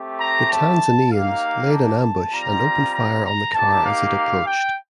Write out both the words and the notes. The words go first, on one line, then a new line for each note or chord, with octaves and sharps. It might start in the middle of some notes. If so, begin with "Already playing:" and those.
The Tanzanians laid an ambush and opened fire on the car as it approached.
Already playing: A3 C4 G4
A#5
A5
A#3 D#4 G4 F5
A5
G3 C4 F4 A#5
A#5
A#5
A#3 D#4 G4 A5
F5
G5